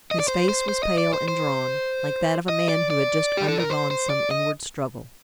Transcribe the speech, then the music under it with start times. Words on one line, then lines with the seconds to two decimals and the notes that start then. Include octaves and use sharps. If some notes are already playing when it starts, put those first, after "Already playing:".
His face was pale and drawn, like that of a man who had just undergone some inward struggle.
0.11 D#5
0.20 D5
0.28 C5
0.49 C5
0.68 C5
0.83 D#5
0.98 D5
1.13 C5
1.28 C5
2.49 D#5
2.69 D5
2.90 D5
3.37 G4
3.49 A4
3.60 A#4
3.70 C5
3.91 C5
4.10 D5
4.31 D#5